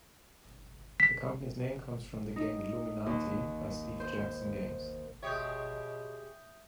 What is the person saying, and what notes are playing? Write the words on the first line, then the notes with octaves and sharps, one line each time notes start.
The company's name comes from the game Illuminati by Steve Jackson Games.
B6
D#4
D#2
C5
B2 G#3 G4 C#5 E5 D#6 G6